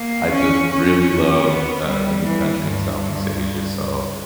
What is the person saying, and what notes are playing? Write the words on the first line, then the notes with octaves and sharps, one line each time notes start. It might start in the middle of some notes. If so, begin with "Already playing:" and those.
I just really love, uh, any country in Southeast Asia. So,
Already playing: A#3
C#4
C#4
B3
G3
E3
G2